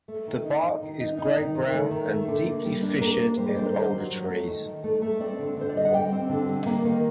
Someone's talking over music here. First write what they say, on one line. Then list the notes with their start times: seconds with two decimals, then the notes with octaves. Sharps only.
The bark is grey-brown, and deeply fissured in older trees.
0.08 A3
0.27 D#3
0.45 D#4
0.63 D#4
0.82 D#3
1.00 D#4
1.18 D#4
1.37 D#3
1.55 D#3
1.74 A3
1.91 D#3
2.10 A3
2.28 D3
2.47 A#3
2.65 G3
2.83 D4
3.01 A#3 A#4
3.19 A#3
3.37 G3 C5
3.49 D5
3.56 D4 C5
3.66 A#4
3.74 D#3 C5
3.93 F#3
4.11 F#3
4.29 A3
4.47 D#3
4.66 D#3
4.84 A3
5.02 A3
5.20 C4 D5
5.39 D3
5.57 D3 C5
5.69 D5
5.75 G3 D#5
5.85 F#5
5.94 G3 G5
6.12 C4
6.29 D3
6.48 G3
6.66 A#3
6.85 D#3